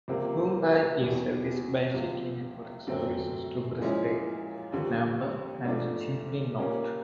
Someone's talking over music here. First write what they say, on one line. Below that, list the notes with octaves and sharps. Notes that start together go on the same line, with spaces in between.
Woombye is serviced by City network services to Brisbane, Nambour and Gympie North.
C#2 C3 F3 A#3
E2 B2 G3
C#2 C3 F3
F#2 D3 F#3 A3 C4
A#2 F3 G#3 C#4 E4
D#2 D3 F3
G#2 F3 A3 D4
A#2 G3 A#3 C#4